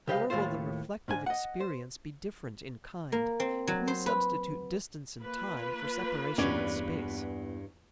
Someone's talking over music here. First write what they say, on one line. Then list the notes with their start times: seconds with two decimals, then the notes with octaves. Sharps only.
Nor will the reflective experience be different in kind if we substitute distance in time for separation in space.
0.08 C2 C#3 G4 B4 D#5 F5
0.30 D#2 A2 A3 F4 C5
1.08 G#2 D4 G#5
1.26 D#5 F#5
1.60 C5
3.12 A#3
3.40 C4
3.67 F#3
3.88 C5
4.06 B4
5.21 A#3 F4 B4
6.38 E2 G2 C#4 D5